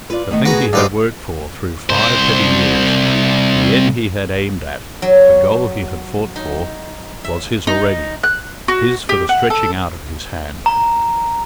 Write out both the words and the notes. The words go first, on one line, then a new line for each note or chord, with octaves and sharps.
The thing he had worked for through five heavy years, the end he had aimed at, the goal he had fought for, was his already--his for the stretching out of his hand.
F4 B4 D5
D#3 A3 B3 D#5
F#4 G#4 B4 A#5
G2 D#4 F#4 B4 C5 D#5
C2 C5
F#3
D#4
E5
D#4
F#6
F#4
G4
F#5
A4
A#5